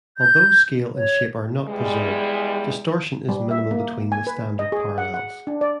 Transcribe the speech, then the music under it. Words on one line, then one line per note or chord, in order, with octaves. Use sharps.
Although scale and shape are not preserved, distortion is minimal between the standard parallels.
G6
C#5
E2 G3 G#3
G3
E5
A#3
G#5
B4
D#5
G#4
F#5
F#5
D4
D5